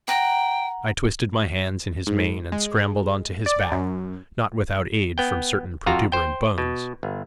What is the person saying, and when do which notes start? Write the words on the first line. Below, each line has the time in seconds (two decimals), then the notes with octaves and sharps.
I twisted my hands in his mane and scrambled onto his back, not without aid from certain protuberant bones.
0.08 F#5 G5 A#5
2.07 G#2
2.52 G#3
3.46 D5
3.71 F#2
5.18 B3 G5
5.86 F2 F4 F#4 A#5
6.12 C5 G5
6.58 B2
7.03 G1